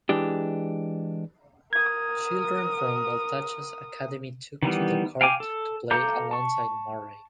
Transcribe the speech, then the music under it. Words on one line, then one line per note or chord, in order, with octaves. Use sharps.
Children from Baltacha's academy took to the court to play alongside Murray.
E3 G#3 D4 G4
A#4 D#6 G#6
D#3 E3 G3 B3
F5 G5 G#5 D6
A4
A4 F5 A#5 D6 G6
A5 C#6